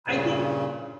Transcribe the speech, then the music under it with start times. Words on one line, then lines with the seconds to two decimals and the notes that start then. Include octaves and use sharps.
I think
0.08 G2 A#2 C#3